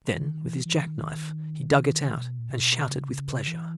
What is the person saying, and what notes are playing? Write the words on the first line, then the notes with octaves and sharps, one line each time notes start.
Then with his jack-knife he dug it out and shouted with pleasure.
E3
D#3
E3
E3
D#3
B2
A#2
C#3
B2
C#3
E3